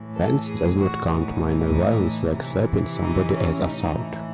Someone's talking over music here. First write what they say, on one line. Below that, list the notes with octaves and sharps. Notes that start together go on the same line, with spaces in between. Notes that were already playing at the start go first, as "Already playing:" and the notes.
France does not count minor violence like slapping somebody as assault.
Already playing: A2 E3
A4
G#4
F#4
A2 E3 D#4
C3 E3
D#4
C#4
A2 E3 D#4